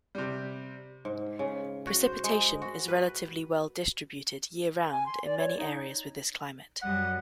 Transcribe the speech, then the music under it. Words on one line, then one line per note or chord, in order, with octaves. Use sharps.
Precipitation is relatively well distributed year-round in many areas with this climate.
C3 G3
G#2
C#3
F#4
C5
G#3
F#4
B4
G#5
C6
D5
C#5
D#4
F#2 G3 D#5 F#5